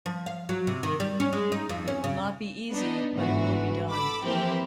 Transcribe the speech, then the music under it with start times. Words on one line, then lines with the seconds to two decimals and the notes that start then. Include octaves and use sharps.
It will not be easy, but it will be done.
0.06 F3
0.26 F5
0.49 F#3
0.67 C3
0.83 D#3
1.00 G3
1.20 C#4
1.33 G#3
1.52 D#4
1.69 F2
1.88 C#4
2.04 C#3
2.70 B3 D4 D#4
3.12 G1 G#2 D3 E3 F#4
3.89 A4 B5 D6 E6
4.23 E3 F3 A#3 C4 E4 G4